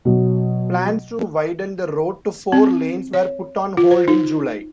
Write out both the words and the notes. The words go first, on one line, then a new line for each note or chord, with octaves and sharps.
Plans to widen the road to four lanes were put on hold in July.
B2 F#3
C4
C#5
F4
C5
D#4